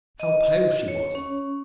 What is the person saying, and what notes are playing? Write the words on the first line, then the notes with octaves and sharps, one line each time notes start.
How pale she was!
D#5
C#5
C#4